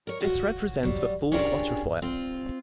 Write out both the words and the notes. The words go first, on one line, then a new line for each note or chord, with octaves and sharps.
This represents the full quatrefoil.
A#4 C#5
F4 F#4
F#3 G3
C#4 D4 F4 G4 G#4 A#4
C4 F4